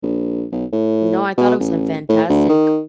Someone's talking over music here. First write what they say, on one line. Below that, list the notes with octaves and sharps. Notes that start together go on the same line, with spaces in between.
No, I thought it was a fantastic,
A#1
B1
A2
B2
A1
A2
D2
D#3